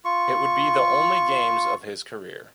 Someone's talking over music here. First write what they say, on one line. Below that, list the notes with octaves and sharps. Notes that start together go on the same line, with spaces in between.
It would be the only games of his career.
F4 C#6